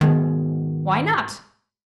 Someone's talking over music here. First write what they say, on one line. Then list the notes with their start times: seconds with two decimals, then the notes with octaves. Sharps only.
"Why not?"
0.01 G#2 B2 D#3 G#3